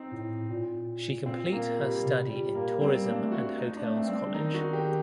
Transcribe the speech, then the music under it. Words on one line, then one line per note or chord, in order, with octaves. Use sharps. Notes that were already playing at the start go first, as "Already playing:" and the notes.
She complete her study in Tourism and Hotels college.
Already playing: C4 D#4
A2
A#2
A#2 C4
A#3
G3
C3
A#2 G3
A#3
G3 C4
D4
A#3
A3
F#4
D#4
D4
A3
C4
G3 C4
D4
D#3 D#4
F#4
G4